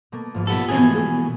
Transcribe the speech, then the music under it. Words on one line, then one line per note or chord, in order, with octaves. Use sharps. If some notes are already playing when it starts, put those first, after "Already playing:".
And th
B2 A3 A#3
G#1 G#2 F3
B1 B3 F4 G4 A4
B2 E3 G#4 G#5